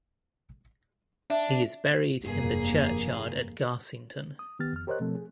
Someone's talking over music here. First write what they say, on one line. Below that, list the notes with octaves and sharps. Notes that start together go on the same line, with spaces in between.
He is buried in the churchyard at Garsington.
D4 E5
F1 G2 A#3 G#4
D#6
D#3 B3 G4 F6 A6
F2 F6
G4 A#4 C5 C#5 D#5 F#6
B2 F3 A3 C4 A4
G#4